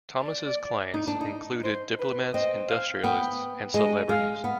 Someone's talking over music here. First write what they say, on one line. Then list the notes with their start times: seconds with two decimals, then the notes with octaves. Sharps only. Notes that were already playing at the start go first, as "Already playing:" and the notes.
Thomas' clients included diplomats, industrialists, and celebrities.
0.23 D5
0.94 D#4
1.07 D4
1.21 D#4
1.63 C5
1.99 B4
2.33 C4 D#5
2.69 F5
3.03 B3 G5
3.74 G#3 D#5
4.09 G#3 F5
4.44 B3